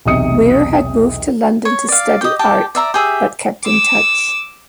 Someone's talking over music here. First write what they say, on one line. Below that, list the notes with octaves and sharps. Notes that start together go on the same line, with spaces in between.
Weir had moved to London to study art, but kept in touch.
B1 E2 C3 D#5 D#6 C#7
C#5
D5 F5
G4 D#5
G4 A5 D6
D5 E5 A#5
G4 G#4 E5
D6 E6